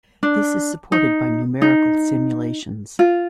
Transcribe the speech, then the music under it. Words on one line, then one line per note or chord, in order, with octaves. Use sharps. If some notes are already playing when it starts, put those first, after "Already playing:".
This is supported by numerical simulations.
D4
D#4
D#4
F4